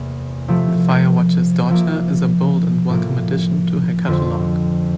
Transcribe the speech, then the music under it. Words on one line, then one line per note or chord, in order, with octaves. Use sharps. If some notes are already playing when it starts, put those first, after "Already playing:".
The Firewatcher's Daughter is a bold and welcome addition to her catalogue.
Already playing: E2 C3 E3 A#3
C3 F3 A3
C3 F3 A#3
A2 F3 A#3
F2 D3 F3 C4